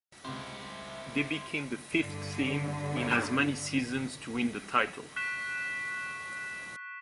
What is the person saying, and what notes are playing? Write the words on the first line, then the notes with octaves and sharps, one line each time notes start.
They became the fifth team in as many seasons to win the title.
C#2 C3 E4 C5
G2 D3
C#6 F#6 B6 E7